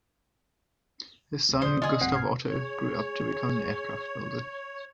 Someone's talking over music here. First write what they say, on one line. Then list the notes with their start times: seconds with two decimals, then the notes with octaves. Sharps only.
His son Gustav Otto grew up to become an aircraft builder.
1.49 C#2
1.62 E2 A#2 C5 D5 D#6
1.82 D3 F4 G#4 D#5
2.01 C2 G#2 C4 F#5 C7
2.12 F6 G#6
2.49 G#4 C#5